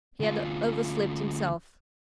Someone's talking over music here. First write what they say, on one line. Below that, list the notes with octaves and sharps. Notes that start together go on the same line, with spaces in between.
He had overslept himself!
D2 F4